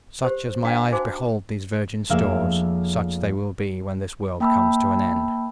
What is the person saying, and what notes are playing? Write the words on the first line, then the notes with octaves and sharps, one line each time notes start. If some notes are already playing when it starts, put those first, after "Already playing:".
Such as my eyes behold these virgin stores, such they will be when this world comes to an end.
G4 C5
D4 D#4 E5 F5 G5
D#4 F#4 C5 G#5 D6
F1 G#3 A#3 E5 F5
A#3 G5 A5 B5 E6